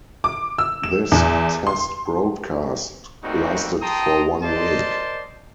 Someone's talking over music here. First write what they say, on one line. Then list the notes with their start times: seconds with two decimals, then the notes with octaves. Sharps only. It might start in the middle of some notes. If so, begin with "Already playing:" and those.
This test broadcast lasted for one week.
0.24 D6
0.58 E6
0.83 E7
1.12 E2
1.67 C6
3.23 G3 A3 A#3 C4 D#4 F#4
3.82 G5 A5 A#5 C6 D#6
4.43 A#4 C5 D5 D#5 A5 C6